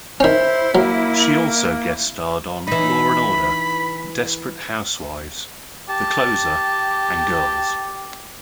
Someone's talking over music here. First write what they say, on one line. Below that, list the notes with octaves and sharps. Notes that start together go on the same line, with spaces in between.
She also guest-starred on "Law and Order", "Desperate Housewives", "The Closer", and "Girls".
D#3 C#4 E4 C5
F#3 A#3
E3 D#4 B5
G4 A5